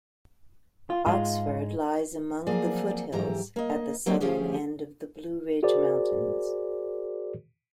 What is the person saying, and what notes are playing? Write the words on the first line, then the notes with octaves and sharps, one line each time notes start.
Oxford lies among the foothills at the southern end of the Blue Ridge Mountains.
F4
G#2 G#3 F4
F3 F#3 A#3 C4 G#4 D5
F2 G#2 E3 F#3 G4 A#5
A#3 D#5
F#3 A#3 C4 D#4 F#4 G4
D2 F3 C#4 G4 G#4
F#4 G#4 A#4 C5 D5